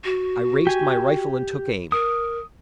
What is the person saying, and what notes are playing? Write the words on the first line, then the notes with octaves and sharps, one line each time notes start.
I raised my rifle and took aim.
F#4
G4 G#5
A#4 D#6